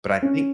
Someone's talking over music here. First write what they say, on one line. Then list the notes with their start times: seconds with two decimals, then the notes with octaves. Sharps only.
But I think
0.22 C#4